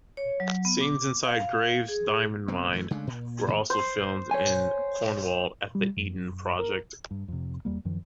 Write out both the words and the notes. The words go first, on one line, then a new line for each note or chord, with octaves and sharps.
Scenes inside Graves' diamond mine were also filmed in Cornwall, at the Eden Project.
C#5
F#3
B3
D6
F5
G#4
F1 B3 C4
E3 A3
C#3 G#3 A3 D4
A#2
A2 D#3 F#3 A#3
C5
C#5 G#5
G3
F#2
A#4
G2
F2 C3
E2 G3 A#3
F#2 D#3 F3